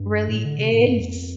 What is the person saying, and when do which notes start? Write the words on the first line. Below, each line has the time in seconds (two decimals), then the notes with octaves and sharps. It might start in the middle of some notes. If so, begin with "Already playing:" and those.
Really is.
Already playing: G2
0.28 A2
0.45 D3
0.59 C3
0.72 A2
0.86 G2
0.99 F2